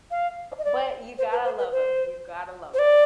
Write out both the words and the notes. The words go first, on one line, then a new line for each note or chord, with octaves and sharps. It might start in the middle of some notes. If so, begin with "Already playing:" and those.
But, you gotta love 'em, you've gotta love 'em.
F5
D#5
D5
C5
B4
C5
B4
C5
C5
D5